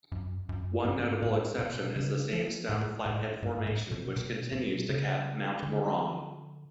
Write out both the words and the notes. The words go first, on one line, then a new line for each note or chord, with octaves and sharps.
One notable exception is the sandstone Flathead Formation which continues to cap Mount Moran.
F#2
F#2
G#2
A2
B2
C#3
F3
A2
A2
G#2
A2
B2
B2
B2
C#3
D3